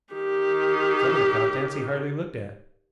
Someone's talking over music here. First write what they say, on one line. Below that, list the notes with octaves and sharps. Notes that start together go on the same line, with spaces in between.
Some of the contents he hardly looked at.
D#3 G4